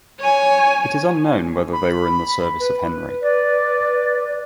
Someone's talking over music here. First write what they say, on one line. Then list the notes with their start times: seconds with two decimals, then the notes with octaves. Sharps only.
It is unknown whether they were in the service of Henry.
0.19 C#5 G#5
1.73 B5
2.60 B4
3.22 D5